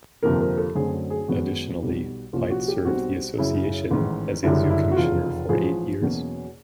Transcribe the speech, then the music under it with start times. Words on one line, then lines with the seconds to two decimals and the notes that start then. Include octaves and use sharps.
Additionally, White served the association as a Zoo Commissioner for eight years.
0.23 G1 F2 C3 F3 A#3 A#4
0.40 A#4
0.58 A4
0.75 F#2 D3 F#3 A3 C4 G#4
1.10 G#4
1.28 F#2 D#3 G#3 B3 F#4
1.80 B1 B2 G3
2.33 C2 A#2 F3 A#3 C#4 F4
2.51 F#4
2.68 G4
2.85 B1 B2 G3 C4 F#4
3.38 F#1 F#2 C#3 E4
3.91 A1 G#2 D#3
4.43 F#1 F#2 D3 G3 E4
4.70 E4
4.91 F#4
4.96 F1 E2 C#3 F4
5.49 A1 G#2 F3 G#4
6.02 E2 B2 F#3 A#3 C#4